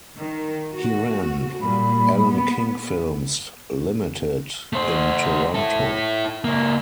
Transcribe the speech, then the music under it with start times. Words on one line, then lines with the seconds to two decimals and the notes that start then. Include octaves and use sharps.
He ran Allan King Films Limited in Toronto.
0.18 D#3
0.72 F#4
1.62 A#2 G3 B5
2.26 B3
4.73 A3 C5
5.55 E4 A4
6.44 C#2 A#3